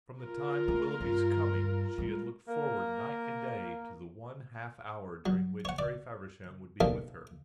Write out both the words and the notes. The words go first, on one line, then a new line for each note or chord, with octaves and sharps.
From the time of Willoughby's coming she had looked forward night and day to the one half-hour during which Harry Feversham would be with her.
F4 A#4
A3
G2
G3 G#3
A#3 A#4
F#3
C#5 F#5
D5
D#2 B2 D3 D#3 A4 F5